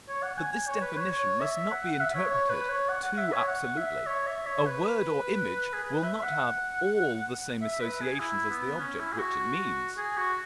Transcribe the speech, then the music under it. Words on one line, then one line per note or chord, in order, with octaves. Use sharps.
But this definition must not be interpreted too absolutely: a word or image will not have ALL the same associations as the object which it means.
C#5
F#5
G#5
G#5
C#5
B4
C#5
C#5
E5
F#5
F#5
E5
C#5
C#5
B4
C#5
F#5
F#5
E5
C#5
F#5
E5
C#5
E5
C#5
B4
G#4
B4
E5
F#5
E5
B4
G#4
E4
B3
C#4
E4
G#4
F#4
G#4
F#4